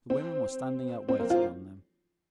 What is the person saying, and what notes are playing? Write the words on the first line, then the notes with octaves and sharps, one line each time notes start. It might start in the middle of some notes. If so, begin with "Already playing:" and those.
The women were standing up waiting on them.
C4
C4
A#3
F4